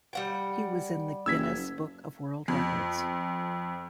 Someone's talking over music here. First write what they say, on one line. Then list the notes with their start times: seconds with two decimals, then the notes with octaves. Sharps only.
He was in the Guinness book of World Records.
0.13 G3 F#5 G5
1.26 F#1 E6 G#6 B6
2.48 F2